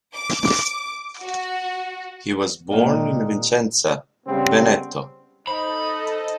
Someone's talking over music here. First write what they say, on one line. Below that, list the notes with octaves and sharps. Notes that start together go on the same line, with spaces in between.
He was born in Vicenza, Veneto.
D6
F#4
A#2 D#3 G#3 C4 D4
C#3 G3 B3 C4
D#4 A4 C5 D#5 B5